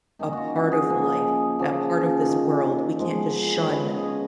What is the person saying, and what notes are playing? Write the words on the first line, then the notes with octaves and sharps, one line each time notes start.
a part of life, a part of this world. We can't just shun
D#3 A#3 C#4 D#4
F4 F#4
F#4
G#4
F3 A#3 C#4
C#3 F3 A#3 C#4
D#3 A#3 C#4
F3 G#3 B3
C#5
C#3 G#3 B3 B4
D#5
C#5